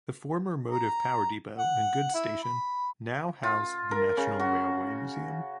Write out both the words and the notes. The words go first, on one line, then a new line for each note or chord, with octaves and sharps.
The former motive power depot and goods station now house the National Railway Museum.
A#5
F#5
E4
B5
F4
A#4
C#3
F#4